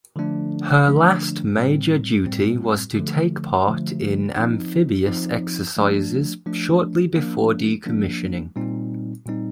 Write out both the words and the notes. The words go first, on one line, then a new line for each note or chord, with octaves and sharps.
Her last major duty was to take part in amphibious exercises shortly before decommissioning.
D3 F3 A3 D4
D3 F3 A3 D4
A2 G3 C4
A2 G3 C4
D3 F3 A3
D3 F3 A3
F3 C4 D#4
F3 C4 D#4
F3 A3 D4
F3 A3 D4
F3 A#3 D4
F3 A#3 D4
A#2 G3 C4 D#4
A#2 G3 C4 D#4